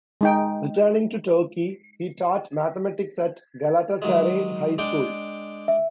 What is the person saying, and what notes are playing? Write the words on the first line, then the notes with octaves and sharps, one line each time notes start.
Returning to Turkey, he taught mathematics at Galatasaray High School.
G#3 D#4 G5
D#3 F#3 G#3
G#3 D4 G5
E5